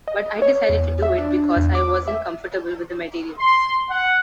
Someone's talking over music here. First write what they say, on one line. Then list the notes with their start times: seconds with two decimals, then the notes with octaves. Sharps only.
But I decided to do it because I "wasn't" comfortable with the material.
0.08 D#5
0.42 C#5
0.69 E2
1.02 E5
1.18 D4
1.31 D4
1.57 E2
1.75 D6
2.08 E5
3.39 C6
3.89 F#5